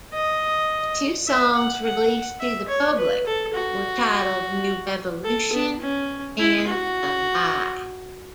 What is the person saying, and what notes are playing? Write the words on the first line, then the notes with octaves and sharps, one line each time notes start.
The two songs released to the public were titled "New Revolution" and "The Lie".
D#5
E5
F#5
F#5
E5
C#5
B4
A4
F#4
A4
B3
C#4
E4
F#4